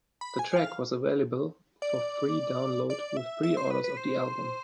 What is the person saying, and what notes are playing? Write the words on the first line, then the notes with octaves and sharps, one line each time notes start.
The track was available for free download with pre-orders of the album.
B5
G#5
F5
D5
D5
E5
E5
C5
B4
B4
C5